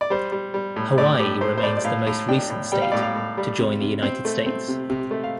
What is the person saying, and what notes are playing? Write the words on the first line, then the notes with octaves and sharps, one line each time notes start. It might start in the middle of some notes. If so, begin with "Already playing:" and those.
Hawaii remains the most recent state to join the United States.
D5
G3 C5
G3
G3
A2
A2 D5
A2 G4
A2 C5
C5
A2 D5
D5
A2 F5
A2
D4 G5
A2
G3 G5
F5
A2 D5
F5
A2
G3
C3
C3
C4
A3
C4
C3
C3
A3
F5